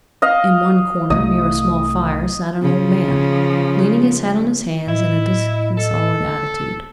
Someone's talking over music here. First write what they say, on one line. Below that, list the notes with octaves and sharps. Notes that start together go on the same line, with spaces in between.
In one corner, near a small fire, sat an old man, leaning his head on his hands in a disconsolate attitude.
D#5 F5
C2 A3 D#5
C#3 F3
A2 E4 D#5
A4